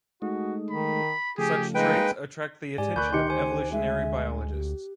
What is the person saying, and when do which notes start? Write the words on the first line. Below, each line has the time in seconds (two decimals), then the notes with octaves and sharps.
Such traits attract the attention of evolutionary biologists.
0.22 G#3 A3 D#4 F#4
0.70 D#3 B5
1.38 C#3 F3 A3 G4 G#4
1.75 G#3 A#3 D#4 B4 G5
2.78 G#2 G4 D5 G#5
2.96 D2 A#4 B5 C#6 F#6 G6
3.13 D#3 G4 D#5 C6 C#7
3.30 C5 G#5
3.72 G#3 E5
4.52 G4